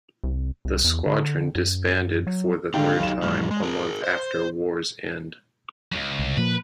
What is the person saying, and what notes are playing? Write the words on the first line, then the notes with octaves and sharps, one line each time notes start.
The squadron disbanded for the third time a month after war's end.
C2
C2
E2
D3
F#2
F#3
G#2 D3 D#4 G4 F5 G5
B1 E7
F2 A2 G3 F6
G#3
G#4 A#4
C5
C#2 F#2
C2
A#2 F3 A#3 B4